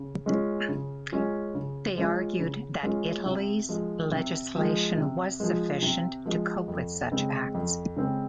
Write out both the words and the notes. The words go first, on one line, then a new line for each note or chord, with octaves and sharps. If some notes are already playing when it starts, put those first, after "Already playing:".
They argued that Italy's legislation was sufficient to cope with such acts.
Already playing: C#3
G#3 C#4 F4
C#3
G#3 C#4 F4
C#3
G#3 C#4 F4
C#3
G#3 C#4 F4
C3
F3 G#3
C3
F3 G#3
C3
F3 G#3
C3
F3 G#3
F2
C#3 G#3 C4
F2
C#3 G#3 C4